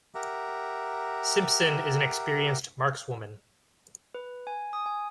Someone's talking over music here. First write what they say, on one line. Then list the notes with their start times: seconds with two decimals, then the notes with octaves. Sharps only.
Simpson is an experienced markswoman.
0.15 G4 A#4 E5 F#5 A#5
4.15 B4
4.47 G#5
4.73 D#6
4.86 G#5